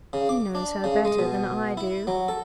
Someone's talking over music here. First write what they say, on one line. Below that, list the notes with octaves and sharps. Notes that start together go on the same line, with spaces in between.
"He knows her better than I do."
C#3
D6
D4
C#3
G#3
B2
E4
F#3
A4